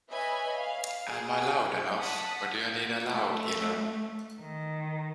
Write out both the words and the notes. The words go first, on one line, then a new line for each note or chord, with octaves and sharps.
Am I loud enough, or do I need a loudhailer?
B4 C#5 D#5 E5 G#5 B5
F5
G#4
F#5 A5 D#6 B6
A3
D#3